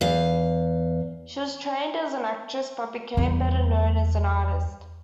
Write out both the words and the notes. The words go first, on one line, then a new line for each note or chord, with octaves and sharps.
She was trained as an actress, but became better known as an artist.
E2 F5
E2 G3